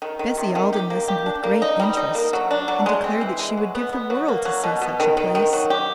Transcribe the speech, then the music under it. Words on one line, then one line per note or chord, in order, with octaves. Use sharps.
Bessie Alden listened with great interest and declared that she would give the world to see such a place.
D#3
D#3
C3
D#3
G4
A#3
G4
D4
A#3
D#4
G3
D#4
A#3
F#3
D4
F#3
G#3
C4
E3
G#3
F#3
B3
B3
F#3
A#3
F#3
B2
B2
D#3
D#3
D#3
F#3
G4